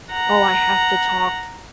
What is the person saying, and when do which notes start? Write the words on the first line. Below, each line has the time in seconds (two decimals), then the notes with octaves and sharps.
"Oh, I have to talk
0.12 F#5 A#5